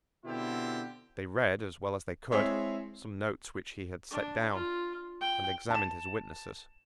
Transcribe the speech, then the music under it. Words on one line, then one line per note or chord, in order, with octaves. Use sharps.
They read as well as they could some notes which he had set down, and examined his witnesses.
B2 D3 C4 E4 F4 G4
G#3 C4 E4 G#4 C#5 E5
D4
F4
G5
A5 E7